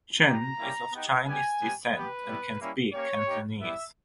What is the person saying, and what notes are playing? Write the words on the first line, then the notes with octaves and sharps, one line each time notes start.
Shen is of Chinese descent and can speak Cantonese.
G3 B3 G4 A#5
G3 A#3 C#4 E4 G4
B3 D#4 G4
G3 B3 G4 G#5
G3 B3 G4
B3 G4 B4
G3 B3 E4
G3 A#3 C#4 E4
A#3 C#4 G4 C#5
A#3 D#4 G4
G3 B3 E4 G4 E5